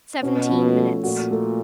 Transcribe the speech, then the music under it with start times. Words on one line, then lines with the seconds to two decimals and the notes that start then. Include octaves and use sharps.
Seventeen minutes.
0.23 B2 C#4
0.49 F3
0.76 A3
1.03 A#2 F#4
1.31 A3